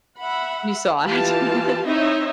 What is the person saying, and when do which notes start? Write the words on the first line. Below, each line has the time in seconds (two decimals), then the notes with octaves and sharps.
You saw it.
0.18 E5 F#5 B5
1.03 E3 F4 G4 F5 A5
1.86 C4 D#4 E4 C#5 D#5 E5